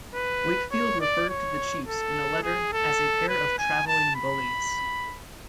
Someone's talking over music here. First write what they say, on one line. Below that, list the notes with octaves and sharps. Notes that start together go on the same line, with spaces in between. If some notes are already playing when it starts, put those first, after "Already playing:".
Wakefield referred to the chiefs in a letter as a pair of "travelling bullies".
B4
C#5
D5
C#5
A4
G#4
A4
B4
G#5
A5
B5